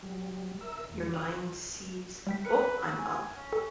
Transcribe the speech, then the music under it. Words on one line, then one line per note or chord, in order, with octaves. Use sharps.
your mind sees, "Oh, I'm up."
F#3 G3
A#4 E5 E6
E2
D3 D#4 F4 F5 D#6 F#6
G3 G5 B6
A#4 B4 C#7
F#3
G#5
C#4
A4 G#5